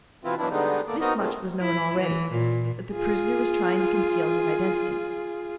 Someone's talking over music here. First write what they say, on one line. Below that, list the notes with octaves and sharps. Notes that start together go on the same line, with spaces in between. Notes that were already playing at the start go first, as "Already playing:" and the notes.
This much was known already; that the prisoner was trying to conceal his identity.
B2 E3 B3 C4 E4 F4
F#2 B2 E3 D4 E4
D3 G3 G#3 B3 D#4
A3 A#3 D5
B3 C4 D#4 F#4 A#4 D#5
A#2 G#3 A3 C4
E4
E3
A#2
F4 G#4